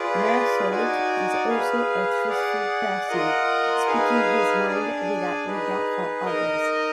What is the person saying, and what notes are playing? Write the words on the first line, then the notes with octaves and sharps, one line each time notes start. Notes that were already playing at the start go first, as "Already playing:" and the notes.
Meursault is also a truthful person, speaking his mind without regard for others.
Already playing: F4 G#4 B4 D5
D#4 F#4 D5 G#5
G#4 B4 F5
G#4 D5 F#5
F4 A#4 D#5 F#5
D#4 G#4 B4 F5 G#5
D4 G#4 D5 G#5
D#4 G#4 B4
D#4 A#4 D#5